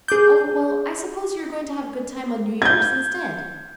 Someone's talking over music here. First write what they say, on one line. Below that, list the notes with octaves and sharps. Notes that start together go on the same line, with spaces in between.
"Oh, well, I suppose you are going to have a good time on New Year's instead."
G#4 D6 G6
G6 G#6